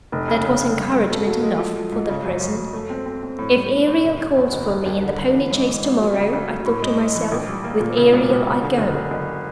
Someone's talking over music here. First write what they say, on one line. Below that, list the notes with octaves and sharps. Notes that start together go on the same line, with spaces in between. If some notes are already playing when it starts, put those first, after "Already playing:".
That was encouragement enough--for the present. "If Ariel calls for me in the pony-chaise to-morrow," I thought to myself, "with Ariel I go."
F1
C#3
C#3
C#3
G2
G2
A3
F#3
G#3
F3
F3
G#2
C#3
F#2
F#2
F#2
A3
C4
C4
C4
A2
G3
A2
A2
F#1
F#1
E2
F#1
D#2
D#2
D3
D3
E3
G#2
A1
A1
F#3
C#3
D2
F#3
A2
G#3
G#3
E3
A#1
G3
A#3
A#2
C#3
E1
E1
C#3
D3
F#1
D3
F#1